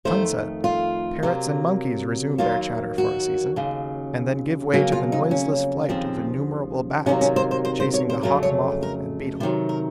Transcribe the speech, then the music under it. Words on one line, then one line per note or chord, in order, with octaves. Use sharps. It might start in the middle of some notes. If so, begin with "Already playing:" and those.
At sunset parrots and monkeys resume their chatter for a season, and then give way to the noiseless flight of innumerable bats chasing the hawk-moth and beetle.
F2 D#3 A3 C5
F4
C3 F#3 A#3
D#2 D#3 F#3 A#3 F4
F#4
D#2 C#3 F#3
F2 C#3 F#3 A#3 F#4
F4
D#4
C#4
D#2 C#3 F3 C4
C3 D#3 F#3 A#3 C#4
C#4
C5
C5
C5
C5
C#5
C5
F2 C#3 F#3 A3 A#4
C#5
A#4
C3 D#3 F#3 C5
A#4